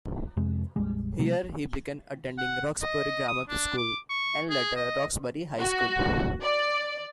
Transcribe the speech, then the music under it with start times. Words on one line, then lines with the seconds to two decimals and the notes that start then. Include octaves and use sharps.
Here he began attending Roxbury Grammar School and later Roxbury High School.
0.37 F2 C3 G#3
0.76 A#1 F2 G3 G#3
1.19 C3 F#3 G#3 A3
2.38 F#5
2.82 D#5
3.28 D#6
3.49 D4
3.77 D6
4.09 C#6
4.50 G#4
4.76 D#5
5.59 F#4
6.42 D5